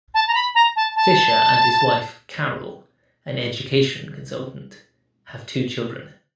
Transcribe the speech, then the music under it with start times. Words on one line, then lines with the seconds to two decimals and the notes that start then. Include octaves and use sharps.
Fisher and his wife, Carol, an education consultant, have two children.
0.14 A5
0.28 A#5
0.34 B5
0.55 A#5
0.76 A5
0.96 A5